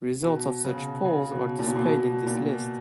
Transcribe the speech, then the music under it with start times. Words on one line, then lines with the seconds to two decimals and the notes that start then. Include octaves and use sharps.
Results of such polls are displayed in this list.
0.23 B2
0.65 C#3
1.05 C#3
1.31 B2
1.59 A#2
1.68 B2
1.76 A#2
1.86 B2
2.27 A#2